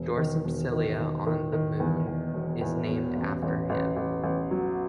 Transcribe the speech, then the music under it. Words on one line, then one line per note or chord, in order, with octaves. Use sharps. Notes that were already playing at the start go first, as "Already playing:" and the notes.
Dorsum Scilla on the Moon is named after him.
Already playing: E1
D#3
E1
D#3
D#3
D#3
D#3
E2
E2
E1
E2
E1
A1
A1
A1
A1
A1
F#3